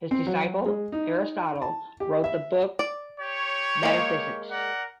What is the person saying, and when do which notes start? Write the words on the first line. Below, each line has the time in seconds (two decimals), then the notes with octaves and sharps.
His disciple Aristotle wrote the book Metaphysics.
0.11 C4
0.27 F#3
0.66 G#3
0.92 D#4
1.62 A5
2.00 G4
2.24 E5
2.79 D5
3.20 G4 C#5
3.83 G#3 A#3
4.49 A#4 D5 F#5